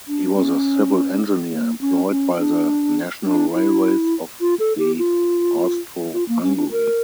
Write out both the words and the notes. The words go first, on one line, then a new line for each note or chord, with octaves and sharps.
He was a civil engineer employed by the national railways of the Austro-Hungary.
D4
C#4
A#3
C#4
C#4
D4
D4
E4
F4
A4
G4
F4
F4
A#3
C#4
D4
A#4